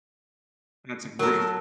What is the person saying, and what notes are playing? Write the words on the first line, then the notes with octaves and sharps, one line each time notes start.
That's a grea
F#3 A4 A#4